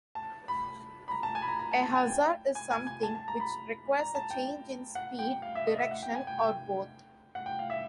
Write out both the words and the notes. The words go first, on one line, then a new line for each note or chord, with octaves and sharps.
A hazard is something which requires a change in speed, direction or both.
A5
B5
B5
A#5
A5
G#5
B5
A#5
A#5
A5
A5
G#5
G5
G#5
G#5
G#5
A5
A5
A#5
B5
A#5
A5
G5
F#5
G5
F5
E5
D#5
E5
F#5
G5
G#5
G5
G5
F#5
G5
F5
E5